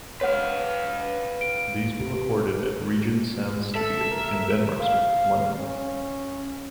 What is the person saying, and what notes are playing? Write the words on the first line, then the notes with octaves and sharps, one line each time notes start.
These were recorded at Regent Sound studio in Denmark Street, London.
B4 C#5 F5 F#5
D7
A4 E5
A#4
F5
C#4